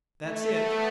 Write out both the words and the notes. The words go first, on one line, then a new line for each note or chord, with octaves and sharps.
"That's it."
A3
B3